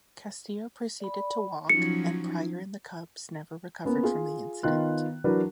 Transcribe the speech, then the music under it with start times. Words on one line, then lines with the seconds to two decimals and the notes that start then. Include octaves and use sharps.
Castillo proceeded to walk and Prior and the Cubs never recovered from the incident.
1.00 D5 B5
1.70 F3 F#3 C#4 D#4 F4 C#7
3.85 A#3 B3 C#4
4.03 F4 G#4
4.63 D#3 B3 F4 F#6
5.24 E3 F#3 D4 F#4 A#4 B4